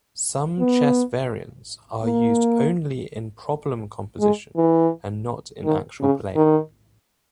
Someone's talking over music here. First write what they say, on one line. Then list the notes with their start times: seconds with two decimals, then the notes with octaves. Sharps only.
Some chess variants are used only in problem composition and not in actual play.
0.59 B3
2.04 A#3
4.20 G#3
4.56 E3
5.64 D#3
6.01 C#3
6.36 D#3